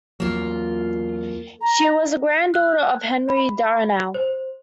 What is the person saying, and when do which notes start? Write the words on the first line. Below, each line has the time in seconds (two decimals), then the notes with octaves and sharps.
She was a granddaughter of Henry Darnall.
0.20 E2 F#3 A#3 F4
1.61 A#5
2.54 F#6
3.29 B5
4.14 C5